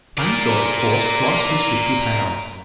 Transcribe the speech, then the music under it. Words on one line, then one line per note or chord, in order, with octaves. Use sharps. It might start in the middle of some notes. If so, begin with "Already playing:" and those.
Mountjoy of course lost his fifty pounds.
A#4 D5